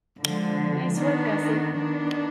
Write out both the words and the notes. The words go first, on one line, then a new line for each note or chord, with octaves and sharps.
Nice work, Gussie.
D3 F3 G#3
D#3 B3 D4
D#3 B3 D4